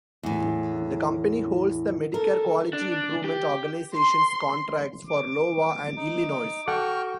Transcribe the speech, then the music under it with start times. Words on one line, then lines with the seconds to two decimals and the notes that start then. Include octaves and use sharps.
The company holds the Medicare Quality Improvement Organizations contracts for Iowa and Illinois.
0.23 E2 A2
2.14 A4 A#4
2.73 D4
3.24 G4
3.95 C6
5.07 D6
5.97 D#4
6.68 F#4 A4 F#5 G5 C#6 D6 F6